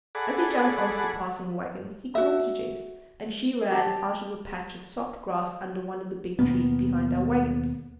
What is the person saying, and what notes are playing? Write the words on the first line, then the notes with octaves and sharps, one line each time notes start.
As he jumped on to the passing waggon he called to Jess, and she ran out of a patch of soft grass under one of the big trees behind our waggons.
G#4 A4 D5 F#5 B5
F#4 E5
G4 A5
D#2 B2 A#3 B3